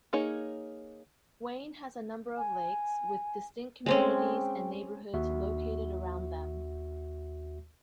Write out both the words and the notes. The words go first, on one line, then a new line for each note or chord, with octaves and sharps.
Wayne has a number of lakes, with distinct communities and neighborhoods located around them.
A#3 D#4 G#4 C#5
G#5
G#3 C4 C#4 G5
D#2 F#4 E5